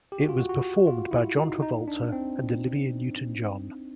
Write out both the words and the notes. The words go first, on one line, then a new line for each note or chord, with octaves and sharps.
It was performed by John Travolta and Olivia Newton-John.
G4
F#4
F4
F#4
F#4
F4
E4
D#4
D#4
D4
C4